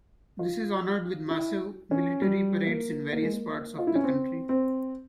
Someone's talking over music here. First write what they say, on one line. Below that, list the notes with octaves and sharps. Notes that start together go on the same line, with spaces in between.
This is honored with massive military parades in various parts of the country.
F4
E4
C#4
G3
A#3
A#3
G#3
A#3
F4
E4
C#4
C4
C4